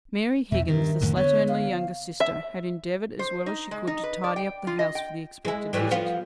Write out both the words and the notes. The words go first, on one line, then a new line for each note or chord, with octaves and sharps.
Mary Higgins, the slatternly younger sister, had endeavoured as well as she could to tidy up the house for the expected visit.
E2 B2 E5
G2 D#3
F2 A2 D3
D3 B3 C#5
F5
E5
C5
D#4
G#3
D#4
B4
D5
G5
F4
D#5
G5
G#3 E4
A2 E3 G3
F3 B3 F4